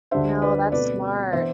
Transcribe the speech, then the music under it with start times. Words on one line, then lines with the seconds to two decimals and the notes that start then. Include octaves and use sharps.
No, that's smart.
0.11 D2 D3 G3 D4 C5 E5
0.42 B4 D5
0.72 B2 A3 C4 B4 D5
1.33 E3 B3 D4 C5 E5